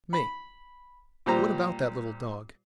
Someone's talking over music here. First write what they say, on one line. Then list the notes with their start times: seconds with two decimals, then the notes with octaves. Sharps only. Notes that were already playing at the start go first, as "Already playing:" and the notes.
ME: What about that little dog?
0.13 B5
1.26 A#2 G3 C5 A#5